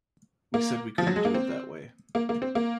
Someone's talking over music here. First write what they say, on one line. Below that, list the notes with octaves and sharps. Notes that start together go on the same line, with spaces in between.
We said we couldn't do it that way.
A#3
F3
F#3
G#3
A#3
C4
A#3
A#3
C4
A#3